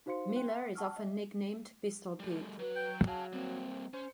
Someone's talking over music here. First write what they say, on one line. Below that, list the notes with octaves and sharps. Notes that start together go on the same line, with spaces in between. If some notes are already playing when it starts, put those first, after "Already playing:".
Miller is often nicknamed "Pistol Pete".
D#4 F#4 C5 F5 C6 C#7
G5 C6 F#6
F#5 A5 C#6 E6 F6
D#5 E5
G3 A3
F#3 F#4 B4
G5
F#3 G#4 F5 A5
G3 A#3 C4
C#4 C5